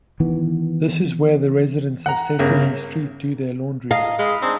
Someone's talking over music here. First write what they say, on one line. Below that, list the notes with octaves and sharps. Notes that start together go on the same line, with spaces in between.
This is where the residents of Sesame Street do their laundry.
D#3 E3 B3
F#5 A#5
G1 C#3 A#4
D#5 F5 A#5
G#3 D#5 B5 F6
C4 D4 D#4 G#4